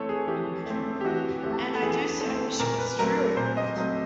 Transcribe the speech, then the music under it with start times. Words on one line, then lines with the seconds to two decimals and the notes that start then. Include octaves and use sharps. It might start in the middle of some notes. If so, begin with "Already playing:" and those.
And I do so wish it was true!
Already playing: E3 A3 C4 A4 C#5
0.09 G#4
0.27 E3 G4
0.66 A3 C4
1.01 G4
1.05 E3 F#4
1.43 A3 C4 G4
1.73 A4
1.82 E3 G#4
2.21 A3 C4 A4
2.59 A#2 A#4
2.78 B4
2.99 F#3 A3 C4 A#4
3.18 A#4
3.37 A#2 C5
3.57 D#5
3.76 F#3 A3 C4